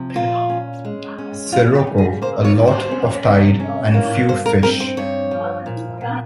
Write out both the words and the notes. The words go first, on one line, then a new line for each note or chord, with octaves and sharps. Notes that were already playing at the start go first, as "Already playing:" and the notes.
Sirocco, a lot of tide and few fish.
Already playing: C3 F3
A#2 F4
C#4
G#3
C#4
G3 F4
G4
C#3
G#4
A#3 C5
C#5
G3
C5
C#4
C3
C#4
A#3
G2 C5
A#4
C4 A#4
C5
G2 C#5
F3
A#2
A#2